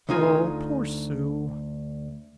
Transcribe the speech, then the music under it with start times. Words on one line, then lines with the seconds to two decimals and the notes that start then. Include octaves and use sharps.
"Oh, poor Sue!"
0.09 D2 D#4 F4 G#5